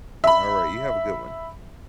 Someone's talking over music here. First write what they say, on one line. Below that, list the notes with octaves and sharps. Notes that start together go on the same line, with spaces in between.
Alright, you have a good one.
E5 B5